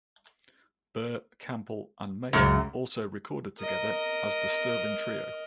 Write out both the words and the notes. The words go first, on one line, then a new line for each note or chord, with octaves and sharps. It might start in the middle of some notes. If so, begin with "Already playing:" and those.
Burr, Campbell and Meyer also recorded together as the Sterling Trio.
C#2 F#2
A#4 D#5